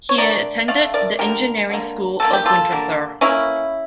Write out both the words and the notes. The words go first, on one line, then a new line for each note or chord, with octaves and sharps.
He attended the Engineering School of Winterthur.
C#5
D3 A3 A#4 D5
D3 A3 D5 F5
A#4 D5
D3 G3 A#3 G4 A#4
D3 G3 A#3
D3 G3 A#3 A4
G4
F4 A4
D3 G3 A#3
E3 A#3 C#4 E4